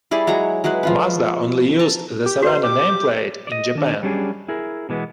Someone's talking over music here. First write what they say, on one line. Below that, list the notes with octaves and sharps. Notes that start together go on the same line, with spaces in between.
Mazda only used the Savanna nameplate in Japan.
G3 E4 G#4 D5
F#3 G#3 C#5 A#5
F#3 G#3 E4 B4
F3 F4 B4
A5 A#5
G4
F#4 B4 C5
G4 D6
D5 D#5
D#3 D4
F#3 G3 C#4 D4 G4 G#4
E4 G#4 A#4
B2 E3 G#3 A3 B3